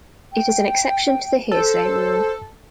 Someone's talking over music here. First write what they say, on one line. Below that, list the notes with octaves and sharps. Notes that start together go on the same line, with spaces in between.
It is an exception to the hearsay rule.
G5
A4 C5